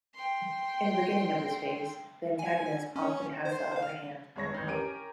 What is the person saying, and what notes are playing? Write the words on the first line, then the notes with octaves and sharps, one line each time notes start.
In the beginning of this phase, the antagonist often has the upper hand.
G5 C6
G#5
C#4
C5
F5
G1 G#3 C#5 A#6
A1 G6
C#4 G4 A#4 D7 D#7